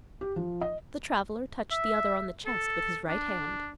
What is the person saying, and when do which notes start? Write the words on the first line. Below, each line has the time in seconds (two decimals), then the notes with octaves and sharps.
The traveller touched the other on the chest with his right hand.
0.21 G4
0.36 F3
0.61 D#5
1.71 E5
2.46 A4
3.08 D4